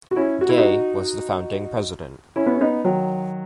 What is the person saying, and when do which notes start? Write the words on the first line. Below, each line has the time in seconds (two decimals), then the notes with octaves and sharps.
Gay was the founding president.
0.11 F#4
0.16 C#4 E4
0.41 F#4
0.49 E4
0.58 D#4 F#4
2.36 C#4 E4
2.46 B3
2.54 C#4
2.61 B3 D#4
2.84 D#3 F#3